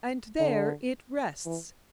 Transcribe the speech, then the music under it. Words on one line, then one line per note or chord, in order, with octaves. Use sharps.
And there it rests.
D3
E3